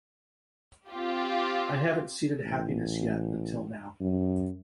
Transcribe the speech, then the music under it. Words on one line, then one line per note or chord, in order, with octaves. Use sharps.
I haven’t seeded happiness yet until now.
C4 F4 G4
A1
F#2